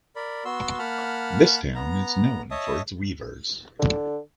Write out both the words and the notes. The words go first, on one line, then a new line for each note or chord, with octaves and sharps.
This town is known for its weavers.
A#4 D5 B5
B3 F#4 C6 E6
A#3 F#5 A5 B5 F6
B3 A#5
C#5 D#5 E5 A5 D#6
D3